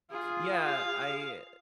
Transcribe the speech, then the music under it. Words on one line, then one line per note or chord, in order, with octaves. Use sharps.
Yeah, I
F4 G#4
F5